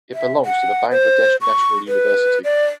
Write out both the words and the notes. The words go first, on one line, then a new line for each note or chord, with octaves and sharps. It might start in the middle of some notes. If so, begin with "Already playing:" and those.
It belongs to Bangladesh National University.
E5
F#5
C5
C#6
B4
D5